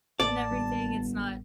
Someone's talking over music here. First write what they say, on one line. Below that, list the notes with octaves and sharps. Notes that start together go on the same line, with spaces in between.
and everything, it's not,
A1 A2 A#3 D5 A5
G1